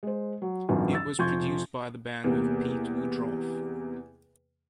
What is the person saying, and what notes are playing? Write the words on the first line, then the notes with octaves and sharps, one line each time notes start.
It was produced by the band with Pete Woodroffe.
G#3 C5
F#3
A1 E2 G2 D#3 F3 F#3
E6 A6
F1 F3 C6 C#6 G6 G#6
E2 C3 A#3